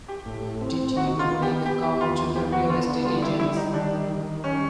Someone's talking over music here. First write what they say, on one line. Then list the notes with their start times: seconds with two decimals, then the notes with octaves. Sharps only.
Did you make a call to the real estate agents?
0.08 G4
0.26 A2
0.61 C4
0.96 D#3 F#4
1.19 F4
1.31 B3
1.42 G4
1.66 B3 G4
1.83 G4
2.00 D#2 F4
2.18 F4
2.35 B3 G4
2.52 F#4
2.70 D3 F4
3.05 G3 F4
3.22 E4
3.40 G3 E4
3.57 D#4
3.74 D#3 D4
4.09 D#3
4.44 G3 C#4